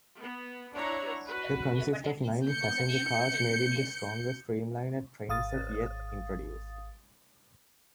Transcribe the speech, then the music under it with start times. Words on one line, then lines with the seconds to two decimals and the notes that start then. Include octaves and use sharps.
The consist of nine passenger cars made it the longest streamliner trainset yet introduced.
0.19 B3
0.74 D4 E4 C#5 F#5 A#5
1.29 F#4 B4
2.47 G6 C#7
5.29 G#1 F5 D#6 A6